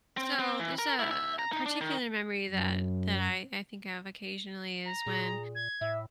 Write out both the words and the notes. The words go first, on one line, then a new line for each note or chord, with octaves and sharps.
So, there's a particular memory that that I I think of occasionally is when,
C4
C4
E3
A#4
E4
E5
A#5
D#4
D4
D#3
F#2
A#5
A#2 G#4
G#6
A2 E5